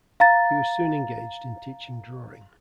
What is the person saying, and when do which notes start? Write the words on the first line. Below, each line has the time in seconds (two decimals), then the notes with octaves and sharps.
He was soon engaged in teaching drawing.
0.20 F5 A#5 A6